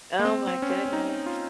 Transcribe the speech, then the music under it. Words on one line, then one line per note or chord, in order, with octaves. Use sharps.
Oh, my goodness.
A#3
C4
C4
C#4
C4
C#4
D#4
F4